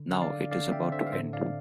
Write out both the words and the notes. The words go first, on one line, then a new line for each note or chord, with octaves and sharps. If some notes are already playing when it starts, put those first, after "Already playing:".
Now it is about to end.
Already playing: D3
D3
D5 F5
D3
D3 D5 F5
C4 E5 G5
D3 C5 E5
F5
A2 C5 E5
D4 D5 F5